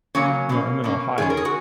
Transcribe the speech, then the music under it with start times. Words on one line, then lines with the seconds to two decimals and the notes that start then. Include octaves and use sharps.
you know, I'm in Ohio.
0.15 C#3 F#3 A#3 C#4 C#5
0.49 B2 A#3 C#4
0.84 B2 A#3 C#4
1.18 D#3 G#3 C#4 G#4
1.30 A#4
1.37 G#4
1.45 F#4